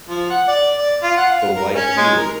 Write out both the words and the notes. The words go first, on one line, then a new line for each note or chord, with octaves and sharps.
so like you,
F3
F#5
D5
D5
F4
F#5
F5
A#4
C#4
G#3
A#4